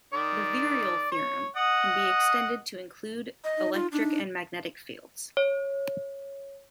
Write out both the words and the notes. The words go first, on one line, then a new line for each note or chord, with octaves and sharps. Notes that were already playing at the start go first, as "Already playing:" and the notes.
The virial theorem can be extended to include electric and magnetic fields.
D#3 D5
C#5
D#5 F#5 D#6
D#5
D#4
F4
D4 D#4
C#5